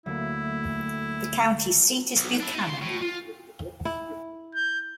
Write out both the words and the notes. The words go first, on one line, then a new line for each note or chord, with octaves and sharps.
The county seat is Buchanan.
D2 F#3 A3 A#3 E4
B1
D4 E4
D4 D#4
C#3 C6
A2
F4
E4
G6